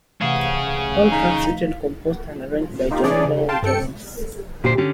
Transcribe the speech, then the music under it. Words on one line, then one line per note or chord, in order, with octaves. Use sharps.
All tracks written, composed and arranged by John Paul Jones.
C3 E3 A3 C#4 G#4 F5 F#5
D#4 F5 B6
A#3 D#4 F4 G4
E3 C#4 D4 G#4 D5
C#3
F5 G5 A5 C6
G2 A4 G5 C#7
D2 A#2 G4 C5
D3 C#4 G4